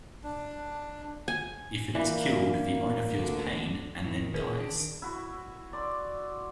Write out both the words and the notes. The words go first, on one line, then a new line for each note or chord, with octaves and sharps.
If it is killed, the owner feels the pain, and then dies.
D4
G#5
E3 A#3 D5 B5
D2 D3
A2 D#3 E4
D1 C#4 G#4 A#4 B4
A#2
D#3 D4
E4 F#4
D5 C6